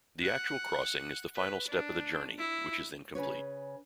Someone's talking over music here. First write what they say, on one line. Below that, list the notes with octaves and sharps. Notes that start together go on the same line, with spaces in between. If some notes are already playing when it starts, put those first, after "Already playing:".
The actual crossing is the final step of the journey, which is then complete.
F#5
B4
D4
E4
C#3 B4 C#5